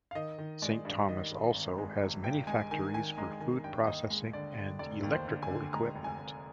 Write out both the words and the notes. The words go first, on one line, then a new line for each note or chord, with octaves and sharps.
Saint Thomas also has many factories for food processing and electrical equipment.
F5
D#3 D#5
D#3
G#3 D5
G2
D#3 D#5
G#1
G#1
G#3
G#1
G2 G5
G#3 G#5
D#3 G#5
D#3 G#5
G#3 A#5
D#3 G#5
G2 G5
D#2 D#5
G#3
D3 D5
D3
F1 D5
D#2
C5
D3
G#5
D3
G#3 A#5
F1
G#5
F1